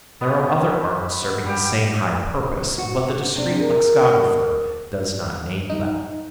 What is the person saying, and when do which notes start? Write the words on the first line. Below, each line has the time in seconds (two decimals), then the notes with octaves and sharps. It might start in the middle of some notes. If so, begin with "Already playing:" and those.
There are other arts serving the same high purpose, but the discreet lexicographer does not name them.
0.21 B3 C#4
1.46 G3 G5
2.78 F#4
3.35 C3 D4
3.56 G#4 A#4
5.70 D#4